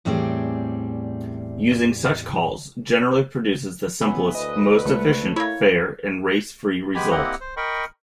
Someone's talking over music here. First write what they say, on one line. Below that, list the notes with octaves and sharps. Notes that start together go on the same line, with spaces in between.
Using such calls generally produces the simplest, most efficient, fair, and race-free result.
E2 A2 G3 C4 G#4 D5
F#2 C#3 E3 F#3 B3
D2 B4 D#5
C#2 A3 C#7
A#3 E4 C#5
G#3 B3 G4 G#5 B5
A#3 C4 E4 G4 D#5 F#5
C5
A#4 D#5 G5 B5 C#6